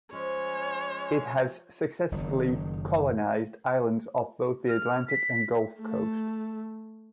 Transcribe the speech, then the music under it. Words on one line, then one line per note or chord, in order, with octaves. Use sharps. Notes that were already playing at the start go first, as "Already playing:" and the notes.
It has successfully colonized islands off both the Atlantic and Gulf coasts.
F3 G#3 C#4 C#5
F#1 F#2 D#3
F6
B6
A3